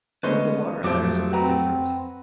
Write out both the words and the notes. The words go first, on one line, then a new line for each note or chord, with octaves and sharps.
With the Water-Adders it was different.
D3 G#3 A3 B3 C#4 B4 C5 D#5
F2 F3 F#3 A3 G4 D6
C4 F#4 B4 A#5